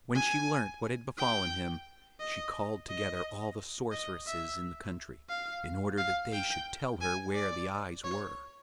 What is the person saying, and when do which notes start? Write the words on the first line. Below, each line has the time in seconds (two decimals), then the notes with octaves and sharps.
When she learnt what had befallen him she called together all the sorceresses in the country in order that they should tell her where the eyes were.
0.15 G#5
1.17 G5
2.20 D#5
2.89 D#5
3.92 D#5
4.27 E5
5.29 F5
5.98 F5
6.33 G5
7.01 G#5
7.35 D5
8.04 C#5